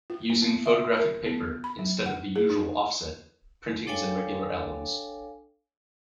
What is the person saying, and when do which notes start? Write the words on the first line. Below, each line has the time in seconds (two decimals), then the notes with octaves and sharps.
Using photographic paper, instead of the usual "off set", printings in regular albums.
0.10 F4
0.30 A#3
0.42 B3
0.66 E5
0.97 A#4
1.26 B3
1.64 B5
1.79 F#3
2.06 F#5
2.36 G#4
2.50 D#4
3.87 D4 A4 C#5 F5 G5 G#5